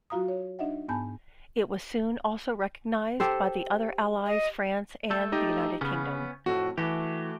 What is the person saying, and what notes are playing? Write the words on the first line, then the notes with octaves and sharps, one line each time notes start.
It was soon also recognized by the other Allies, France and the United Kingdom.
F#3 F4 F#4 F5 A#5 D#6
C#5
D4 D#4 D#5 E5 F#5
G#2 B3 G#5 A5 B5 G6
G4 A4 C5
D#5
A3 A4 G6
D#4 G4 D#5
C#3 B3 C#4
F2 A2 A3 F#4
E3 A3 F#4 G4